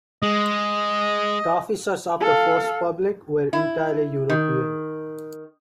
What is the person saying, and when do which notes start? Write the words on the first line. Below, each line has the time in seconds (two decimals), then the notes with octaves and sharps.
The officers of the "Force Publique" were entirely European.
0.23 G#3 D#5
2.21 A4 F5
3.53 E4
4.30 D#3